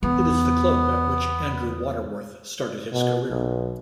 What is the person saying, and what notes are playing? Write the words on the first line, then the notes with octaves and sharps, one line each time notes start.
It is the club at which Andrew Waterworth started his career.
E2 B3
B2
B1